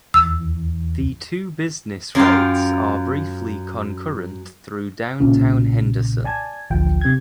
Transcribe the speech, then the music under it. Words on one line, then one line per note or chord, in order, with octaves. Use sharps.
The two business routes are briefly concurrent through downtown Henderson.
E2 E6
F#2 F4 F5 G5
B1 A#2 C#3
D5 G#5 A5 G#6
A1 D2 F3 G5
C3 G#6